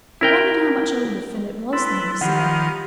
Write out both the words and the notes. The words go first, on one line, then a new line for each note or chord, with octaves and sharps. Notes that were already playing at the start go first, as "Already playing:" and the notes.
He wondered how much older Philip was than himself.
E4 A#4 G5
E4 A4 B4 C6
D#3 F3 G4 F#5 B5